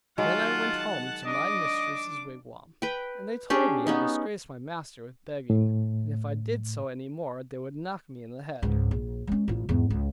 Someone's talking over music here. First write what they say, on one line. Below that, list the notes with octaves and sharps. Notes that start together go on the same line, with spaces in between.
Then I went home to my mistress's wigwam; and they told me I disgraced my master with begging, and if I did so any more, they would knock me in the head.
D#3 F#3 G#3 F4 F#5 A5
D4 D#5 D6
B4 G5
C#4 D4 G4 G#4
B3 C#4 D#4
A2
C#2 G#2
A#1
G#3 C#4
A1 F4
E2 G#2
C#2